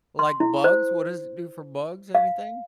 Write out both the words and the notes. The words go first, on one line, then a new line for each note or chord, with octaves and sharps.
Like bugs? What does it do for bugs? Anything?
C6
E4
C5
F5